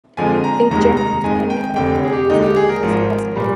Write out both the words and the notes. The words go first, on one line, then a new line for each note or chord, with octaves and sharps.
A German named Henry Wickenburg was one of the first prospectors.
F2 D3 F3 G#3 G#5
A#5
F1 D#2 D#3 G#3 A#5
A#5
F2 D#3 G#3 G#5
G5
F1 F2 D3 G5
G#4
G4
D#2 D3 G#3 D#4
G4
G#4
A#4
G#1 G#2 F3
A#2 G3